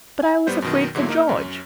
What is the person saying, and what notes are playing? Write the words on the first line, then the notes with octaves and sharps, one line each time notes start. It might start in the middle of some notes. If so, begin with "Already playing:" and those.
But I was afraid for George.
G#5
A2 G3 B3 C5 G6
F#2 B2 D#3
G#2 D3 F#3 E4
A#3 D#4 F6
F#2 C#4